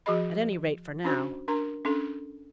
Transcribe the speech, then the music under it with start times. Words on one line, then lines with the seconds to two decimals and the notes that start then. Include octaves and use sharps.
"At any rate, for now."
0.06 F3 F#4 G#4 D#5 B5
1.04 C#4 D4 F#4 C5
1.48 D4 A#4 A#5
1.85 C#4 D4 A4